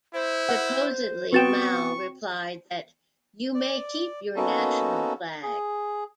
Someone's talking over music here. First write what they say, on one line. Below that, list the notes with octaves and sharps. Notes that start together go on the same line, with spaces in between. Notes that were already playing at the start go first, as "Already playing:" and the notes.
Supposedly Mao replied that "you may keep your national flag".
E4 C5
F#5
B3 C4 F#4 B4 G5 C#6 A6 E7
D5
A#3 B3 C#4 D#4 F#4 A4
G#4